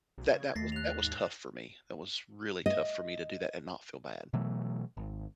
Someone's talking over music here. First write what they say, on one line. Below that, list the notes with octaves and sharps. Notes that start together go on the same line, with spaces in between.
that that was that was tough for me. That was really tough for me to do that and not feel bad.
B1
C#3 G#6
D#2 A3 A6 A#6 C7
F#6 F7
G#2
D#5
B2 E3 F#3 A3
G#1